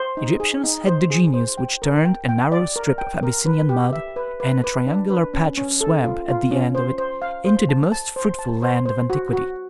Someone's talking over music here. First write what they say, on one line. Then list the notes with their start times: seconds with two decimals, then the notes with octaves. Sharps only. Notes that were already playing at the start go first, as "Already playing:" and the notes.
Egyptians had the genius which turned a narrow strip of Abyssinian mud and a triangular patch of swamp at the end of it into the most fruitful land of antiquity.
Already playing: C5
0.17 D#4
0.40 G#4
0.64 D#4
0.87 C5
1.11 G#4
1.34 C5
1.57 G5
1.82 A#4
2.05 G5
2.29 G5
2.52 D5
2.76 A#4
2.98 G5
3.23 A#4
3.46 B4
3.69 G4
3.93 E5
4.16 B4
4.40 B4
4.64 B4
4.87 D4
5.10 B4
5.34 C#4
5.57 C#4
5.81 A4
6.04 F4
6.28 F4
6.51 C#4
6.75 C5
6.98 C5
7.22 F5
7.45 C5
7.69 A5
7.92 A5
8.16 C5
8.39 A5
8.62 C5
8.86 C5
9.10 F#4
9.33 F#4